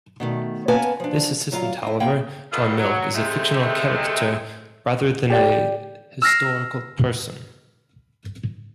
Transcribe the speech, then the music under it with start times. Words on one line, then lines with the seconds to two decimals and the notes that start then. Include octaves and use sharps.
This assistant, however, John Milk, is a fictional character rather than a historical person.
0.20 B2 D#3 A3
0.68 A#3 B3 C#4 B4 G#5 A5
1.00 F3 D4
1.52 F#3 F4 F5 A#5
1.82 C4 E4
2.00 A#3 F4 G5
2.53 F#3 G3 B3 D#4 F4 A4
2.77 F#3
3.15 C3 G#3 A3
5.30 G4 D5 G5
6.22 E6 F6 A#6 C7